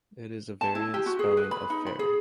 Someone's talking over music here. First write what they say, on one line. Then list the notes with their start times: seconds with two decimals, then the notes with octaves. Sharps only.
It is a variant spelling of fair.
0.61 A5
0.75 E4
0.94 G4
1.06 F#4
1.19 G#4
1.37 B4
1.51 B5
1.70 D#4
1.87 B5
1.99 G#4